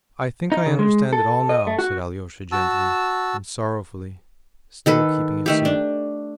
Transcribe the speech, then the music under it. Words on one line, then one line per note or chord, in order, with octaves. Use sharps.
"I think I understand it all now," said Alyosha gently and sorrowfully, still keeping his seat.
D#4
C#3
G#3
A4
D#5
A3
F#4
F#4 A5 E6
D#3 A4 B4
D#3 A3 G4
D4